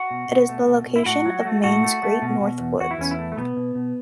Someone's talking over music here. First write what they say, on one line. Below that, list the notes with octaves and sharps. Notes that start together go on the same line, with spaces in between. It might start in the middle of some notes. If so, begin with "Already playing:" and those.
It is the location of Maine's Great North Woods.
Already playing: F#4
B2
B2
A3
B2
B2
E4
A2 F#4
F#3
A3
A2 F#4
A3
A3
B2
B2
E2
E2 F#4
E4
E2 C#4
E4
A3
A3
B2 B3
B2
B2